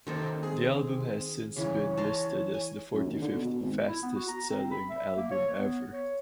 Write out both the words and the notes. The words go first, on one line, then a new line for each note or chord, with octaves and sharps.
The album has since been listed as the forty fifth fastest-selling album ever.
F#2 C3 D#3 A#3 A4 C5
C4 G#4
C#3 E3 C#5
A5 A#5 C6
G#5
F#2
D#2
D3
B2
B2
G#1
E4
B3
F#4
A#5
C4
B5
E5
A#3
C#5
B3
C#5